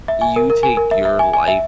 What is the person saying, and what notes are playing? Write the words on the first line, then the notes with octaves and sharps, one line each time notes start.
you take your life
E5
G#5
A#4
A#4
G#5
A#4
E5
E5
G#5
G#5
E5